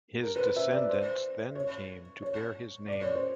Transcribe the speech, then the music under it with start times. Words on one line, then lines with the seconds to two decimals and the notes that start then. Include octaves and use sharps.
His descendants then came to bear his name.
0.23 A#4
0.36 B4
0.39 C5
0.56 E5
0.73 D5
0.89 C5
1.55 C#5
2.22 C#5
2.88 D5
3.02 C#5
3.15 C5